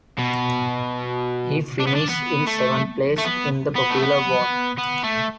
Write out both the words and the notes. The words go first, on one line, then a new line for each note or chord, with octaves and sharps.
He finished in seventh place in the popular vote.
B2
D4
B3
D4
B3
A3
A3
B3
B3
A3
B3
B3
A3